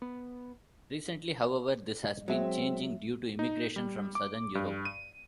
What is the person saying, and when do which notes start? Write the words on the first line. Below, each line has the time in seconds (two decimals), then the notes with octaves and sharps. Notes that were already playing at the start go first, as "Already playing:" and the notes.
Recently, however, this has been changing due to immigration from Southern Europe.
0.02 B3
2.28 F#3 G#3 C4 E5
3.39 D#4
3.76 G3
4.15 D6
4.55 G2
4.85 D#7